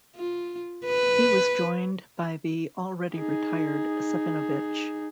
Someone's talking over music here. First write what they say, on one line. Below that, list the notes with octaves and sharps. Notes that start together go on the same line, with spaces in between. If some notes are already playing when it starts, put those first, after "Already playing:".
He was joined by the already retired Savinovich.
F4
B4
D#4 G#4